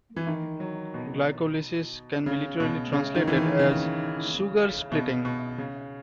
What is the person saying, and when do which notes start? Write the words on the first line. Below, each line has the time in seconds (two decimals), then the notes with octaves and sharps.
Glycolysis can be literally translated as "sugar splitting".
0.16 E3
0.27 D#3
0.60 F#3
0.94 B2
2.26 C#3
2.60 B2
2.93 C#3
3.15 D#3
3.27 E3
3.37 D#3
3.59 C#3
4.92 B2
5.25 B2
5.58 C#3